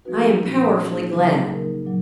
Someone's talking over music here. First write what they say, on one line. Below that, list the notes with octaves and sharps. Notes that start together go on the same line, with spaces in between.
I am powerfully glad.
F3 B3 D#4 F#4 B4
A#2 F3 A#3 C#4
A#3 D#4 G#4
C#3 F#3 A#3 D#4 G#4
A#3 D#4 A#4
A#2 F#3